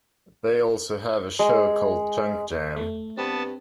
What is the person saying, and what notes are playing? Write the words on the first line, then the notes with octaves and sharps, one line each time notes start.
They also have a show called Junk Jam!
G#3
A3
G2 B3 C4 A5